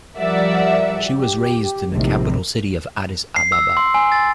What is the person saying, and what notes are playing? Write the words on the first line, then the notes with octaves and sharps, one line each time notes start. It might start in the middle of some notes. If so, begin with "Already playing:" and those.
She was raised in the capital city of Addis Ababa.
F3 G3 A#4 D5 E5 F#5
G4
A#1 A2 C3 D#3 G3
C7
E6
C6
G#5
A6